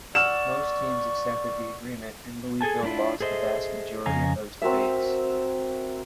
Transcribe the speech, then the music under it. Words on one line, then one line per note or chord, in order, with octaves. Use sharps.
Most teams accepted the agreement and Louisville lost the vast majority of those debates.
D5 F#5 C#6 E6 F6 E7
G#4 A4 G#5 A5
G#3 A#3 D4 E4 F4
G#4 A4 C5 D#5 E5
F2 C#3 D#5 F5 G#5 A#5
C4 F#4 A#4 E5